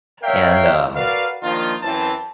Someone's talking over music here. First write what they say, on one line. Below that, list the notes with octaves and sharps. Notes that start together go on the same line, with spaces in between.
and, um
A#4 C#5 E5 F5 G5
F#4 A#4 B4 D5 F5
D#3 F3 A#3 D4 D#4 F4
F#2 E3 C4 A5